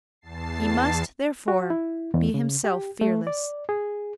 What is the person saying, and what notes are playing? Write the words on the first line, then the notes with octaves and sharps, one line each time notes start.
He must, therefore, be himself fearless.
E2 A5 A6 C7
F#4
E4
E2
C#3
G4
A3
D5
G#4